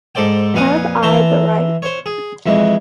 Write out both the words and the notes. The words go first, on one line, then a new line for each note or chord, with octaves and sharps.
Have I the Right?
G#2 A4 C5 D5 G5
F2 A#2 B4 F5 G#5 D#6
E3 E5 A5 A#5 C6
C5 C#5
G#4
F2 E3 G#3